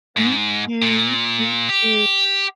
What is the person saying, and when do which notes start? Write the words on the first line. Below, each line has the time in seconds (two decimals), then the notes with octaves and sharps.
Thank you, thank you.
0.17 G#2
0.82 A#2
1.69 G4